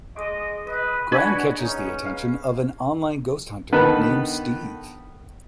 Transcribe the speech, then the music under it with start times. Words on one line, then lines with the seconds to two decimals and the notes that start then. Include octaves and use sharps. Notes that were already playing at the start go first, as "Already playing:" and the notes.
Graham catches the attention of an online ghost hunter named Steve.
0.16 G#3 D#5 D6
0.67 B4 D#5
1.12 B3 D4 F#4 C#5 F#5 G#5 B5
1.59 C#4 D#4 D#5
2.05 F5
3.72 D3 D#3 B3 B4 A5